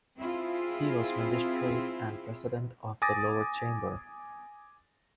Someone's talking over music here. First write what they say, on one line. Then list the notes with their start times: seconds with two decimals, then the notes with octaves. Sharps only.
He was magistrate and President of the Lower Chamber.
0.17 C4 E4 F4 G#4
3.02 G#5 D6 D#6 A6 A#6